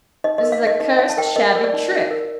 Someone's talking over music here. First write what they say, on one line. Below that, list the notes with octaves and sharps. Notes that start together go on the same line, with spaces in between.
This is a cursed shabby trick!
D#4 D#5
A#4 D#5
F5
D#4 D#5
D#4 D#5
D#4 F5
A5
A#4 G5
A#4 D#5
A#4
D5
D#4
D#4
A#4